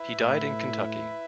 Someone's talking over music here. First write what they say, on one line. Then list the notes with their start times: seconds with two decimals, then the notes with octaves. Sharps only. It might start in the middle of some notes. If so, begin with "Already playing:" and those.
He died in Kentucky.
Already playing: E4 B4 E5
0.20 A2